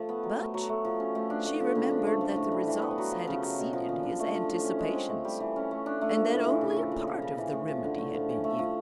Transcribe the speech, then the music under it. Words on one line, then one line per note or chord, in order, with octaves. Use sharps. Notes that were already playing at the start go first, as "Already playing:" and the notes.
But she remembered that the results had exceeded his anticipations, and that only a part of the remedy had been used.
Already playing: F3 A3
B3
F#3
A3
F#3
A3
F3
C#4
A3
D4
A3
F3
C#3
D4
A3
F3
A2
G3
E3
B3
F#3
F3
C#3
F#3
B2
F3
A#2
D4
A3
F3
A2
C#4
G#3
C4
A3
G3
E3
C#4
A3
D4
A3
F3
A2
E3
C#3
F3
A#2
F3
C#3
E3
A2
F3
D3
A3
F3
C#4
A3
F3